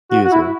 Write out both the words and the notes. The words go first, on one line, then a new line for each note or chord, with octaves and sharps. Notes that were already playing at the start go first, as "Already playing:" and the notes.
You as well.
F#4
F#4
E4